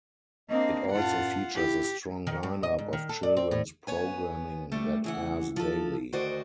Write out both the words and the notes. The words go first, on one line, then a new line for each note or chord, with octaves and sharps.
It also features a strong lineup of children's programming that airs daily.
A#3 C4 D4 D#5
F#2 A2 F4 F#5 A5
E4 G4
D#3
G2
D#5
G#2
D#3
A4
D5
C4
A2
B3 C#5 G#5
D3 G3 A3
C#3 E3 F#5
F3 A4
D2 D#3 F#4 C5 D5 D#5